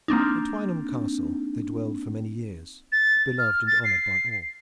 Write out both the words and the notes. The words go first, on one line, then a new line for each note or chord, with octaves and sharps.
At Twynham Castle they dwelled for many years, beloved and honored by all.
A#3 C4 D4 D#4
A6
F6
A6
C7